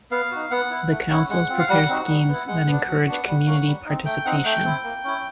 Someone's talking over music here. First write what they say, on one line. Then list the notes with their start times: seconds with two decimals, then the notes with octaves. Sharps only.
The councils prepare schemes that encourage community participation.
0.11 B3 F5
0.31 D#4 F#4
0.51 B3 F#5
0.71 E4
0.90 A3
1.10 C#4 E4
1.29 G#3 F#5
1.50 C4 F4
1.59 F5
1.69 G3 F#5
1.89 C4 D#4 F#4
2.09 G3
2.28 B3 E4
2.48 G#3 F#5
2.67 B3 D4
2.87 F#3
3.07 B3 D4 F#4
3.26 G3
3.46 A#3 C#4
3.66 G3
3.86 C4 D#4
4.05 A3 G5
4.25 C4 D#4 F#5
4.45 A3 G5
4.64 C4 E4
4.84 A#3
5.04 C#4 E4